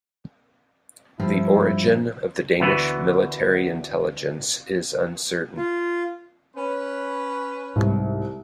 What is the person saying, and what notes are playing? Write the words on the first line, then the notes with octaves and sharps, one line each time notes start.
The origin of the Danish military intelligence is uncertain.
G2 F3 E4
D2 E3 B3 F#4 B4
F4
C#4 B4
C2 G#2